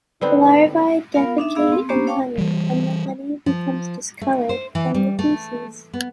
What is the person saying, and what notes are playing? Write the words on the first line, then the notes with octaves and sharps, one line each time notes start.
Larvae defecate in honey and the honey becomes discolored from the feces.
D3 B3 C4 D#4 B4
B3 F4 A#4 F5
D4 D#4 E5
B3 G#4 F5 E6
C4
A#3 B3 C#4 D4 G4 C5
C#5 F5 G5 A5 C#6 D6
E3 G3
F3
A3
C5
E3
G3
A3
B3